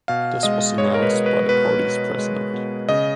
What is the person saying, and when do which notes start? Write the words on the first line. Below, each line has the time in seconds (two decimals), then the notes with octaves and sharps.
This was announced by the parties president.
0.08 B2 F5
0.43 G#3 D#5
0.78 G#3 C#5
0.94 A#4
1.02 B4
1.13 B2
1.26 B4
1.49 B2 B4
1.84 B2
2.18 G#3
2.53 B2
2.89 C#3 D#5